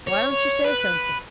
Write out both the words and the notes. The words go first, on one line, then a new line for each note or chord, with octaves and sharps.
"Why don't you say something?"
C#5
B4